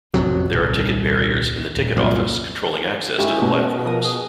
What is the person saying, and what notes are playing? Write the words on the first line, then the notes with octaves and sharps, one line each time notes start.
There are ticket barriers in the ticket office controlling access to the platforms.
A1 F2 C3 F#3
D#1 C2
D#1
C2 F#2 A#2
G#3 C#4 E4 G4
B2
F3 A#4 D#6
G#4